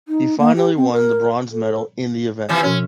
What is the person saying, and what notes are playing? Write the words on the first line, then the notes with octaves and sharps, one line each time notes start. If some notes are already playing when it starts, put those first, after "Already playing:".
He finally won the bronze medal in the event.
D#4
A#3
G4
C4
A#4
A4
C3 E3 F3
B2 F3 C#4 F#4